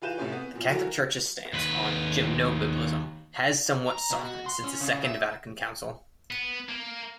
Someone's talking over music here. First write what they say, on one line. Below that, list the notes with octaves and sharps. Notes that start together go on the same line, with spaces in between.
The Catholic Church's stance on gymnobiblism has somewhat softened since the Second Vatican Council.
E3 F4 B4 G6 E7
A2 C3 C#4
B3
A#2 F3
D3 E3 F#3 F#4 A#4
D#2 B4
A#5
B2
F#4
C6
C#4
C#3
E5
B3
A#3